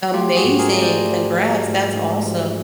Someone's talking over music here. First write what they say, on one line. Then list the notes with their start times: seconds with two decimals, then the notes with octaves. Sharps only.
Amazing, congrats, that's awesome.
0.14 A3 F4 G4
0.36 F#4 G#4
0.44 G#2
0.59 G#4 A#4
0.72 A3 D#5
0.82 C5 D5
1.04 A3
1.35 F3
1.65 G#2
1.95 G#2
2.26 F3